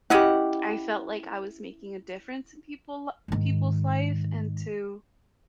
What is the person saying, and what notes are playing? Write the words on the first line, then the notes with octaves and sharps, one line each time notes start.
I felt like I was making a difference in people people's life, and to
C#4 E4 G4 D#5 F#5
G#2 D#3